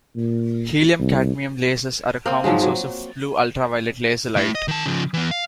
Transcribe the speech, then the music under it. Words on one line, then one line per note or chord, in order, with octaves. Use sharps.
Helium-cadmium lasers are a common source of blue-ultraviolet laser light.
A#2
C2
A#3 C4
G#2 F3 F#3 G#3
F#3
A3 E4
D#5
D#3 A5
C#3 F3
E3 B3
F5